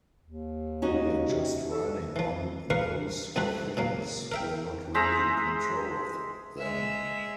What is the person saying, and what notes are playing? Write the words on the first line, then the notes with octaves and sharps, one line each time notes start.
We're just riding on those things - we're not really in control of them.
D#2
C#4 D#4 F#4
C3
A4
E3 F3
E2 A#4 B4 F5 C#6
C2 F2 C3 A3 F#4 B4
B2 F#3 A#3
A#4 E5 G5
G#3 C5 E5 A#5
G#3 E5